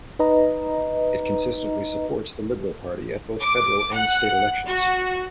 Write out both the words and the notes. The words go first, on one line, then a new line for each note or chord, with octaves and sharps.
It consistently supports the Liberal Party at both federal and state elections.
D#4 B4 D#5 A#5
D6
F#5
F#4